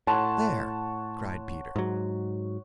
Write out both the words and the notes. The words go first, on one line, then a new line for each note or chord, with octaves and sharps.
"There!" cried Peter.
A2 C#5 F#5 A5 C6
G#2 F#3